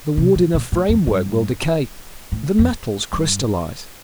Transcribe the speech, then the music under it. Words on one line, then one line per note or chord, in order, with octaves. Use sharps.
The wood in a framework will decay, the metals crystallize.
C3
A#2
A#2
A2
F2
G2
A2
F2
G2